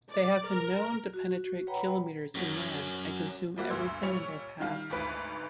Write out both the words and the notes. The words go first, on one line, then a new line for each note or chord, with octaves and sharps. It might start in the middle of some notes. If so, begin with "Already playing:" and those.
They have been known to penetrate kilometers inland, and consume everything in their path.
D5
A#4
F#4
B4 C#5 F#5 G5 A#5 B5
F#2 F#3
F3 G3 A#3 F#4
D2 G2 C6 E6 G#6
A#2 G3 C#5 C#6 C#7 F7
D#3 G3 F5
G#1 D2 G#2 B4 B6 D7